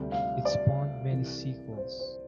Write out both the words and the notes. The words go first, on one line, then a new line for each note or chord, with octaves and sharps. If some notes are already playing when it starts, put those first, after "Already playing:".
It spawned many sequels.
Already playing: D2 C3 G3
F5
D5
C2 C3 E3 G3
C5
C5